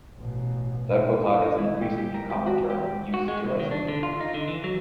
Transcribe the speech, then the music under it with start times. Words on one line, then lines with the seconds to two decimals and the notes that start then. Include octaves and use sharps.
Velcro collar is an increasingly common term, used derisively.
0.17 A1 B2
1.42 D#5
1.58 E4
1.81 G4
1.98 G4
2.14 A#4
2.30 G4
2.46 F#4
2.70 G4
3.14 F#4
3.28 G#3
3.44 C2
3.60 D#3
3.71 D4
3.88 D3
4.03 F4
4.21 D#4
4.34 D3
4.48 E3
4.64 F#3